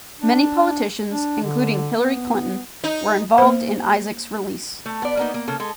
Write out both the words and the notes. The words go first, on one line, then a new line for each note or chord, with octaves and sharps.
Many politicians, including Hillary Clinton, were involved in Isaac's release.
D4
D4
D3
B3
D#4
A#3 C5
A3
B3 D5
A#3 B3 D#4
A#3
C#3 A#3 A4
G#3 A4